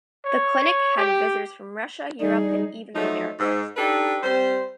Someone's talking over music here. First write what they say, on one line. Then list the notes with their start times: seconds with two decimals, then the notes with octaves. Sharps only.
The clinic had visitors from Russia, Europe and even the Americas.
0.25 C#5
0.97 G4
2.20 G3 D#4 G#4
2.95 F3 F#3 A3 D#4
3.39 G#2
3.77 D4 D#4 G4 A4 B4
4.23 G3 C4 C5